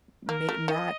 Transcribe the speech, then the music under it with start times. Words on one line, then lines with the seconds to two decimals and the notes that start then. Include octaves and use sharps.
ma not
0.29 A#3 A#4
0.49 A3
0.68 D#3 D#5